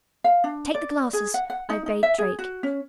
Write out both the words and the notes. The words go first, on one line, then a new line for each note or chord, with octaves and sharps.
"Take the glasses," I bade Drake.
F5
D4
D5
G#4
F#5
F#5
D#4
D#4
E5
G#4
F#4
C#4